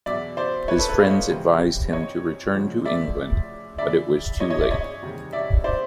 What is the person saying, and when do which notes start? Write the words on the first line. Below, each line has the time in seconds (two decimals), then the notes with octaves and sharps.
His friends advised him to return to England, but it was too late.
0.06 E2 B2 F#3 D5 E5
0.37 C5 D5
0.68 B4 C#5
0.78 A4 B4
0.89 A4 B4
0.99 D#5 F5
1.10 C#5 D#5
1.31 E2 C3 E3 G3
1.93 C#5 D#5
2.54 D2 C#3 F3
2.85 D5 E5
3.78 E2 C#3 E3 D5 E5
4.40 C#5 D#5
4.50 C#5 D#5
4.61 D5 E5
4.71 C#5 D#5
5.02 E2 C3 D#3 G3
5.33 D5 E5
5.64 C5 D5